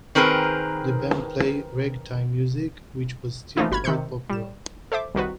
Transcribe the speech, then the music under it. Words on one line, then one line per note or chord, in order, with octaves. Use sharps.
The band played ragtime music, which was still quite popular.
D#3 C4 G#4 A#4 B4
E3 F3 A3 A#3 D#4 E4
G1 F#4 B5 F6 G#6
C3 D#3 B5 E6 G6 C#7
G3 E7
A4 C5 E5 D6
C2 D#3 F#4 B4